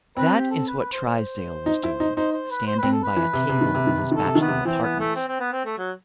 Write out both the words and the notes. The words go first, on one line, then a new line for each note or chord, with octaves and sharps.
That is what Trysdale was doing, standing by a table in his bachelor apartments.
C4 B4
G4
A4
B4
B4
C5
C5
D#4
E4
D#4
D#4 C5
C5
B4
C5
C4 B4
A4
B4
E3
C3
C3
D#3
C3
D#3
C3
D#3 A4
C3
D#3
B3
C3
E3 C4
B3
A3
C4
C4
B3
C4
A3
F#3